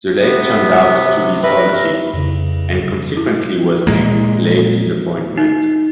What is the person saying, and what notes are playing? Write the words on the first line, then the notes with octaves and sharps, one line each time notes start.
The lake turned out to be salted, and consequently was named Lake Disappointment.
C3 B3
G2 A#4 B4 E5
F2 C#3
E4
A#2 G#3 A#3
D#4